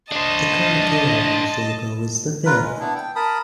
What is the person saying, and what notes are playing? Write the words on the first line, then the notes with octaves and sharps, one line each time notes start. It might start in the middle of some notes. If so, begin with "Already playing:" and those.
The current Euronews logo is the fifth.
D4 C5 D#5 A5
F4 A#4 B4
G#3
B3 D4 E4
G5
A#4 A5 B5 D#6